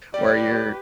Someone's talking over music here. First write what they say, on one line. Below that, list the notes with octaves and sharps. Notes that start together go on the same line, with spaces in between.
where you're
G3 G4 B4 D5